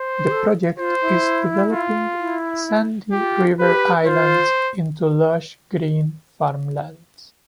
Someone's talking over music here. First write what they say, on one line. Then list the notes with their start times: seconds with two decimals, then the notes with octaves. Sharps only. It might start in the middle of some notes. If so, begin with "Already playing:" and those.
The project is developing sandy river islands into lush green farmlands.
Already playing: C5
0.24 G4
0.31 A4
0.78 F4 C5
1.01 E4
1.71 F4
2.19 E4
3.12 F4 G4
3.60 G4 B4
4.02 E4
4.06 F4 C5